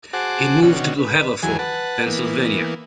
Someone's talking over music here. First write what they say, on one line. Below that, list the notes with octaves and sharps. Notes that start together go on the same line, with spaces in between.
He moved to Haverford, Pennsylvania.
F#4 G#4 C5 F#5 A5 D6
B2 D3 D#3 C#4 F#4
B4
D#2 E3 F#3 G#4 G#5
B4 F#5 A5
E3 A#3 B3